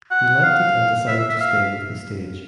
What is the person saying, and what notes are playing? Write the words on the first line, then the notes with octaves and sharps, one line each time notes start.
He liked it and decided to stay with the stage.
F#5
F5
E5
E5
F5